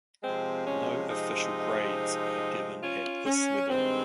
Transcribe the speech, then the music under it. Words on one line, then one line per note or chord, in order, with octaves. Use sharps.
No official grades are given at this level.
C3 F3 G#3 C4
C#4
C4 D#4
C#4 F4
C#4
G2 D#3 G#3 C4